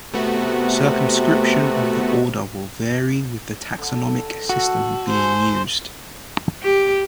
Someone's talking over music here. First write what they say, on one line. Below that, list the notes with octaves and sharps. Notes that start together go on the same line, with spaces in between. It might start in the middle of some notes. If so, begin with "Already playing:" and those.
Circumscription of the order will vary with the taxonomic system being used.
C3 A3 B3 F#4
D3
F#4 A4
G#4 C5
G4